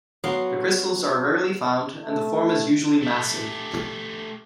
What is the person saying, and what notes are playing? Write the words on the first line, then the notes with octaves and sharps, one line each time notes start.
The crystals are rarely found and the form is usually massive.
F#3 B3 F5 C6
A3
A3 G4